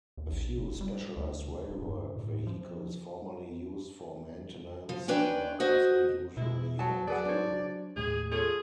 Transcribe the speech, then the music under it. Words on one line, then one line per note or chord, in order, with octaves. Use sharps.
A few specialized railwork vehicles formerly used for maintenance are also usually on view.
D#2
A#1
F1
G3
D2
D1
G2
A2
A2
F3
F3
C#4 D4 B4 G5
F#4 C5 D#5
B2 G#3 E4
F#3 A5
F#3 G#4 B4 D5 F#5
D4 C5 C#5
D#2 A2 G#3 G#4
F4 G#4 A4 C#5